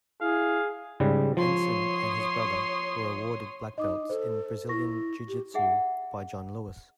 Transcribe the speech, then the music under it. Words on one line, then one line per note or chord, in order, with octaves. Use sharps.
Enson and his brother were awarded black belts in Brazilian Jiu-Jitsu by John Lewis.
E4 G#4 F5
G#2 C#3 G3
F3 C#5 C6 D#6
D#4 D#5 D6 D#6
A4 C5
E4 C#6 A#6
G4
D#4 G#4 E5 F#5